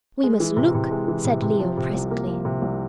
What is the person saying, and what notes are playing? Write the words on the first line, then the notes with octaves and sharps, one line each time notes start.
"We must look," said Leo presently.
G#3
E3
C3
C3
G#3
E3
C3
C3
F3
C3
C2
A#3
F3
C3
C2